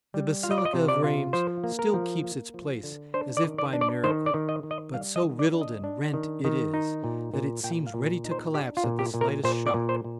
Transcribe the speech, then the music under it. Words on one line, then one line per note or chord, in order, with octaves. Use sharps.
The basilica of Rheims still keeps its place as if by miracle, but so riddled and rent it is, that it seems ready to collapse at the slightest shock.
G3
F4 F5
D#5
D5
D#5
C3
D5
F4
F3 C5
A#3
A#4
F3
A#3
F3
D3
D4 C5
D5
D#3
D5
D4
D5
D#3 C5
D5
D#3
D#5
D#3
D#5
G3 F5
D#5
D#3
D5
D4
D#5
D4
D#3
D#3
D#4
A#2
A#2
A#2 G5
F5
A#2
D#4
C5
D4 G4
F4
A#2
G4
A#2
A#4
A#2 C5
D5
A#2
C5
A#2